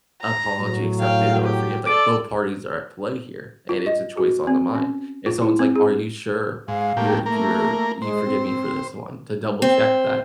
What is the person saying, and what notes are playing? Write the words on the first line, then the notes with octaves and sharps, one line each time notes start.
apology accepted or forgive, like, both parties are at play here, and it's a choice on the mind. If someone's like, "Are you sure you're you're you forgive me for this one." To double check that,
A#5
A2 F#3
F5 G5
G4
A4 D5 D6
F4
D#5
F#4
C4
C#4
F4
E4
C4
G#4
G#2 F5
A2 A#3 G4
A3 A#3 A#4
G#3 C5
C4
C4